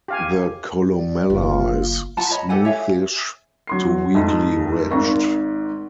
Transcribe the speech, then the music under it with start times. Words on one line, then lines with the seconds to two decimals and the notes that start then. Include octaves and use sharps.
The columella is smoothish to weakly ridged.
0.08 G4 F5 G#5
0.94 D5
1.30 F#1 F4
2.17 F4 F#5 A5 A#5
2.30 C#5 D#5 B5
2.49 G4 A4 F#5 G#5
2.65 C#5 E5 F5 G#5
3.67 F#3 C6 C7
4.15 F2 G#2
4.91 G#1 G#2 C4 D#4 A#4